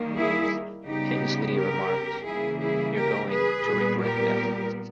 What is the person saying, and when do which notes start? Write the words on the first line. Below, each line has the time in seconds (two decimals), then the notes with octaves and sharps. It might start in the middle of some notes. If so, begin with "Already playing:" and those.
Tinsley remarked, You're going to regret that.
Already playing: D#3 G3 A#3
0.15 E4 G#4
0.85 C#3 G3 B3 D#4 G4
1.55 G4 A#4
2.25 C#3 E3 G3 A#3 E4 G#4
2.60 E4 G#4
2.95 G4 A#4
3.30 G#4 B4
3.65 A#2 G3 B3
4.00 G4 A#4